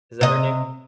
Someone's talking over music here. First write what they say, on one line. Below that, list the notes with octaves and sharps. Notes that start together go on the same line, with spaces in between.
is that her name?
C3 D#5